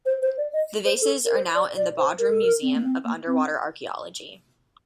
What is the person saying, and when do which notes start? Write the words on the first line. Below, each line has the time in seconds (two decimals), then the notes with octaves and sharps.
The vases are now in the Bodrum Museum of Underwater Archaeology.
0.06 C5
0.22 C5
0.38 D5
0.54 D#5
0.85 C5
1.02 A4
1.25 A#4
1.33 C5
1.55 D5
1.77 D5
1.98 C5
2.19 A#4
2.31 A4
2.41 A#4
2.62 C4
2.75 A#3
2.84 C4
3.04 A#3
3.27 C4